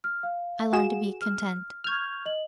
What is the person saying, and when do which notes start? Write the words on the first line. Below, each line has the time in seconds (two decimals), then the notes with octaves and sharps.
I learn to be content.
0.04 F6
0.23 F5
0.73 F#4 G#4 E7
1.21 F6
1.84 C#6 F6 G6 G#6 F7
2.25 D#5 F#7